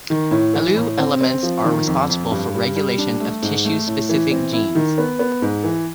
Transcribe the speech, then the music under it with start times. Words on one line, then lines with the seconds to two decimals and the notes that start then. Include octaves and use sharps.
"Alu" elements are responsible for regulation of tissue-specific genes.
0.10 D#3
0.31 A2
0.54 E3
0.76 A2
0.98 C4
1.21 C4
1.43 F3
1.65 D#3
1.87 F2
2.09 F2
2.32 G2
2.54 G3
2.76 G3
2.98 D4
3.20 A3
3.42 G#2
3.65 A3
3.87 A2
4.09 E3
4.31 C4
4.53 E4
4.75 D#3
4.98 B3
5.19 B3
5.42 G#2
5.64 E3